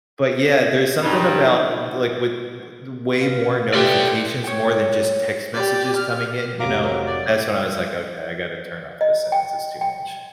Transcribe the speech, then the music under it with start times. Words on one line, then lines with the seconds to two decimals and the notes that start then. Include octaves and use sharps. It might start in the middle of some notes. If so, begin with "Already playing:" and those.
but, yeah, there's something about, uh, the like, with with the way more notifications, more than just text messages coming in, you know, that's when I was like, "Okay, I gotta turn off the sounds. It's too much."
1.02 G2 D#4
3.22 B4 F5
3.74 A3 G4 A4 B4 D5 C6
4.44 C#5 G5
5.54 G4 D5
5.96 F6
6.60 F1 F#3 F5 A#5 D6
6.83 F#3 C4 A#4
7.07 D5
9.01 D#5
9.32 G5
9.81 G5